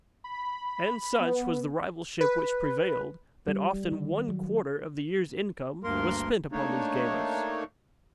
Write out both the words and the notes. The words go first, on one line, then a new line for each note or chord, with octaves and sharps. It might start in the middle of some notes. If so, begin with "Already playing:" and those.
And such was the rivalship which prevailed, that often one quarter of the year's income was spent upon these galas.
B5
B3
B4
G3
D#3
F#3
D2 G2 A#3 A#4 C6
A3 A#3 D4 D#4 C#5